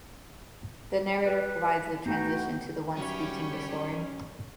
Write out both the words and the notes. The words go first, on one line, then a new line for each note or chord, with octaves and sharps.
The narrator provides the transition to the one speaking the story.
B4
A3 B3 D#4 F#4 G5 G6
F#3 G3 C#4 C#5 E5 G5 B5